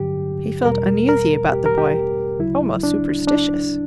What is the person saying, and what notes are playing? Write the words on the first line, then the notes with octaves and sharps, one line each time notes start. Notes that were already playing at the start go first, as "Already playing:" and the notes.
He felt uneasy about the boy--almost superstitious.
Already playing: G2 D3 F#3 G4
E2 B2 G3 A#4
A#4
G4
A#4
G4
D2 C#3 F#3 E4
D4
D4